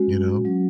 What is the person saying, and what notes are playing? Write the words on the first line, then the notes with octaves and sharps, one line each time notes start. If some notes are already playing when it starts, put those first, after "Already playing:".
You know?
Already playing: G#3 C#4 F#4
F#3 C#4 F#4